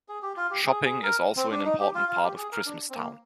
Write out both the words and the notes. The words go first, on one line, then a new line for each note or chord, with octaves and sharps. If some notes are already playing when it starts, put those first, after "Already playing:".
Shopping is also an important part of Christmas Town.
G#4
G4
F4
G4
G#4
G#4
A#4
C4
D4
D#4
G4
F4
F4
G4
G#4
A#4
D4
C4
A#3